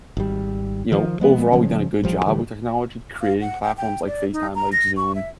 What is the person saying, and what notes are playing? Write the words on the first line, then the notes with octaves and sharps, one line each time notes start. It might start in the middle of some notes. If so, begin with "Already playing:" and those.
you know, overall, we've done a good job with technology, creating platforms like FaceTime, like Zoom,
G#1 G3
D#3 F3
F3 G#3 B3
C#3 F3 G3 C#4
A1 F3 G3
D3 E3 G3
F5
F#5
G5
G5
D5
D#4
A#5
A#6
C#6
E5